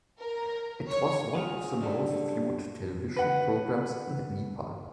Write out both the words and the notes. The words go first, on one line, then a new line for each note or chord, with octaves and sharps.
It was one of the most viewed television programs in Nepal.
A#4
C#5
F4 F#4 G#4 F5
F#2 G3 D4 A4
B4 F#5